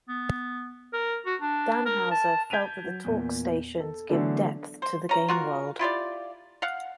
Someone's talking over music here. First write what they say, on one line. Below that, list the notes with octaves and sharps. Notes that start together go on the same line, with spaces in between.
Dan Houser felt that the talk stations give depth to the game world.
B3
A#4
F#4
D4
A#4
A5
G6 G#6 B6 D7 D#7 F7
F#3
E2 A#2
A4
D3 E3 F#3 A3 B3 D4
C5
C#4 A#5
F4 F#4 A#4
E4 F4 G4 D5
F5 F#5